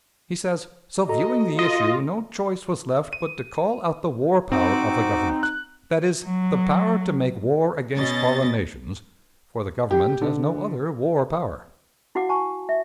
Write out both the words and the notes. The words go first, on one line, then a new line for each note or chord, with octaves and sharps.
He says, "So viewing the issue, no choice was left but to call out the war power of the Government." That is the power to make war against foreign nations, for the Government has no other war power.
F#4 A4 D#5 A#5
F4 D#5
D#7
C4 D#4 F#4 D6
F#6
F#3
B2 C#4 D#5 A6
G4
D3
E4 F#4 F5 F#5 D6
G#5 A5 C#6
E5